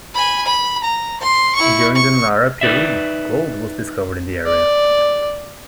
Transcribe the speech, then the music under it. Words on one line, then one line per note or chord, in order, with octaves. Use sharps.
During the Nara period, gold was discovered in the area.
G#5 B5
B5
A#5
C6
E4 C#6
C#6
D#4 B4 D5 E5
D5